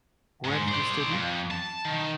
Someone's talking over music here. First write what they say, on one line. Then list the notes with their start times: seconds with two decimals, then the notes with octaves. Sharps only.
Where did you studied?
0.44 G#2
0.68 C5 D5
1.10 F2
1.51 A5
1.85 D#3